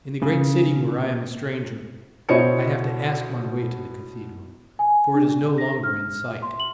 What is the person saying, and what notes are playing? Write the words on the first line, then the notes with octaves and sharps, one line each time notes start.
In the great city where I am a stranger, I have to ask my way to the cathedral, for it is no longer in sight.
C#3
B2 E4 C5 C#5 D#5 C#7
G#5
D4
A#6
F6
E5
C6
F#7